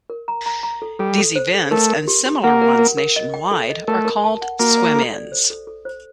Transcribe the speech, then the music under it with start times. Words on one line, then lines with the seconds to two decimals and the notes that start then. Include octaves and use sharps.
These events, and similar ones nationwide, are called "swim-ins".
0.10 A#4
0.28 A#5
0.46 A#5
0.63 A#5
0.82 A4
0.99 G3 A4
1.18 A4
1.36 C5
1.54 A4
1.71 A3 A#4
1.89 A#4
2.08 G4
2.26 G4
2.44 A#3 F#5
2.62 A#4
2.79 A#4
2.97 A#4
3.16 D#5
3.34 G5
3.51 A4
3.70 D#5
3.88 A3 A#4
4.05 A#4
4.24 A5
4.42 F#5
4.60 A#3 F#4
4.77 D5
4.96 A4
5.14 D5
5.32 C5
5.50 A4
5.67 A4
5.85 C5